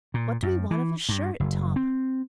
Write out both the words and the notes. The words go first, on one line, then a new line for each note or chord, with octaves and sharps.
"What do we want of a shirt, Tom?"
A#2
F#2
E3
G2
F#1
C4